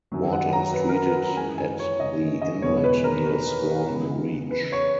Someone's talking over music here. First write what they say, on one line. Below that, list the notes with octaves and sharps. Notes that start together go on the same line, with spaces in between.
Water is treated at the inlet near Swan Reach.
F#2 D#3 F#3
F#5
A#5
B4
A#4
B4
F#2 E3 G#3 G#5
G#5
C#5
D#5
D#5
E2 B2 G#3 B3 C#5
B4
A#4
C#3 E3 G#3 B3
B4
C#5